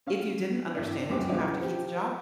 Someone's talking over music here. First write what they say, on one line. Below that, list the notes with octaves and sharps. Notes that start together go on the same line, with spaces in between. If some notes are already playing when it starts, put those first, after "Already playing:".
if you didn't understand it, do you have to keep the job?
C#4 F5
G#1 E4 D5
D4
C#2 F#2 C#3 C4 G4 D6
B1 C#3 E3 B4 D6
F3 G4